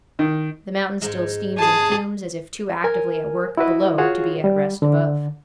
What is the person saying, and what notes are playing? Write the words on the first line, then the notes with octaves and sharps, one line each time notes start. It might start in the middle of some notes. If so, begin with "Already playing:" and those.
The mountain still steams and fumes, as if too actively at work below to be at rest above.
D#3
G#2 G#3
G#4 A5
A#4 G#5
E4 F#4 B4 D#5
F4 F#4 G#4 C#5 F5 F#5
G3
D3